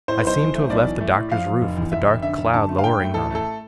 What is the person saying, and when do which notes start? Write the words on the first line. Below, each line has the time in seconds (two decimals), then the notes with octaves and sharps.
I seemed to have left the Doctor's roof with a dark cloud lowering on it.
0.08 A2 C5
0.18 B4
0.25 B1 C5
0.40 E3
0.55 A3
0.69 B1 D5
0.85 E3
1.01 A3
1.15 A2
1.31 F3 F5
1.46 F3
1.61 F1
1.77 E2
1.92 F1 E5
2.08 F1
2.22 D3 E5
2.38 F1
2.54 D3 A5
2.68 A3
2.78 F5
2.84 G2 G5
3.00 A3
3.14 A1 A4
3.30 A3 A4